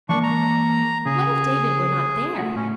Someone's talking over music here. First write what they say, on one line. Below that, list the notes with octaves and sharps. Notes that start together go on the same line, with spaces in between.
What if David were not there!
E3 G#3 A#3 D4 C#6
A#5
C#3 G#4
A3 F#4
A2 C#4